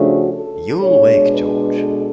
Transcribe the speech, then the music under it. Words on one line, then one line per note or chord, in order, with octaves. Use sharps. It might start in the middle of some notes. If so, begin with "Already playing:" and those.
You'll wake George.
Already playing: C#3 F3 A3 D4 F#4
A4
B2 G#3 D4 C#5
B4
A4